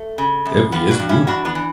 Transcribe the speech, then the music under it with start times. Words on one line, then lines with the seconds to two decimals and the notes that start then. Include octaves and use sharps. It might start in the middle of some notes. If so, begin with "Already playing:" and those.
definitely it's beautiful,
Already playing: A3
0.18 C#3
0.46 F#2
0.72 G2 B3
0.91 D4 F#4
0.99 G2
1.09 C#4 E4
1.27 E3 D4 F#4
1.45 B3 D4
1.55 E3